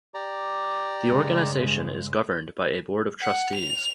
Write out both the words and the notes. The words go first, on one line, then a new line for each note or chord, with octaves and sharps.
The organisation is governed by a board of trustees.
G4 D5 A#5
G2 C#3 G#3
F#5
F7